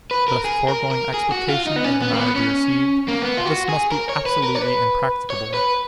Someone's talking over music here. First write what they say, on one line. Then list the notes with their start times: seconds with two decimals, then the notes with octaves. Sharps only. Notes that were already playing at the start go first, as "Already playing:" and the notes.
But if the foregoing explication of the matter be received, this must be absolutely impracticable.
0.11 B4
0.28 A#4
0.45 G#4
0.68 A#4
0.91 A#4
1.14 G#4
1.32 F#4
1.50 F4
1.67 D#4
1.76 B3
1.84 C#4
2.02 B3
2.13 A#3
2.19 B3
2.36 C#4
3.08 A#3
3.22 B3
3.37 F4
3.46 F#4
3.69 G#4
3.92 A#4
4.09 C#5
4.26 B4
4.43 A#4
4.55 C#5
4.62 B4
5.30 C#5
5.54 B4